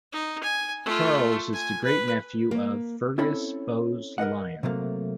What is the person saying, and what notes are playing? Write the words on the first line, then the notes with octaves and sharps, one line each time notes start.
Charles is the great-nephew of Fergus Bowes-Lyon.
D#4
G#5
A3 F4
G#5
B4
A#3
C4 C#4 E4 A4 C#5 B5
A#4 B4 D#5 F#5
C3 F#3 A3 A#3